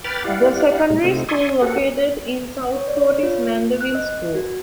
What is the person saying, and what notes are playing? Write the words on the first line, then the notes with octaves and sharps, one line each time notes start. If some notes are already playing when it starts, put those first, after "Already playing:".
The secondary school located in Southcourt is Mandeville School.
B4 G5 B5 D6 F6 A6
E4 G4 D5 F5 F#5
A#2 G3 G#3
C3 A3 C4 D#4 F4
D5 E5 G#5 C6 C#6 D#6
A#3 F#4 G4 A4 F#5
C#5
D5
C#5
F4
F#6
D#5
F#4